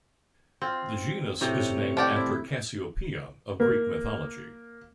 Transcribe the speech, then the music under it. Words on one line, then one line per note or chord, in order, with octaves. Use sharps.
The genus is named after Cassiopeia of Greek mythology.
C4 F4
A2 C3 C#5
F3 D5 G5
C4 E4
A#3